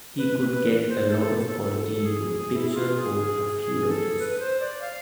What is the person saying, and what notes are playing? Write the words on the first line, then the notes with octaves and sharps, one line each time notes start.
He could get a lot of quality into a picture for a few dollars.
B4
B4
C5
A4
A4
G#4
G#4
E4
G#4
F4
G#4
G#4
A4
B4
C5
D5
F5